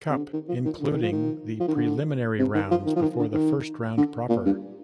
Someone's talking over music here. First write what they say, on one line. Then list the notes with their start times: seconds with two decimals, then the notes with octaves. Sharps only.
Cup, including the preliminary rounds before the First Round Proper.
0.09 C3
0.17 D3
0.33 D#3
0.48 F3
0.65 D#3
0.80 D3
0.92 D#3
1.02 F3
1.12 D#3
1.60 F3
1.68 D#3
1.75 D3
2.39 C3
2.55 D#3
2.71 F3
2.86 D#3
2.96 F3
3.02 D#3
3.19 D3
3.34 D#3
3.97 D3
4.29 A#2
4.45 G2